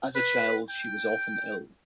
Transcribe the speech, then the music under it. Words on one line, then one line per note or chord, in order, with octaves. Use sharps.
As a child, she was often ill.
B4
G5